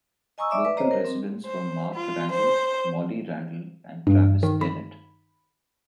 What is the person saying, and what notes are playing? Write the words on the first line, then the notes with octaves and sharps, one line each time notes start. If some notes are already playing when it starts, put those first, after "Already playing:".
Local Residents were Mark Randall, Molly Randall, and Travis Dennett.
D#5 G#5 A#5 C#6 D#6 E6
D5 E5 D6
B4
C5 C#5 D#5 A#5
A#4
C4
C5
F4
C5
G2
D#3
B5